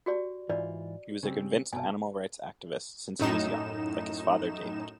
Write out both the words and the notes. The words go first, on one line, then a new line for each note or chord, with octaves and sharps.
He was a convinced animal-rights activist since he was young, like his father David.
F#4 G4 D5
G#2 E3 F4 D5
C#3 G3 C4
C2 G2 B2 G#5 A5
F#2 A2 D#4 E7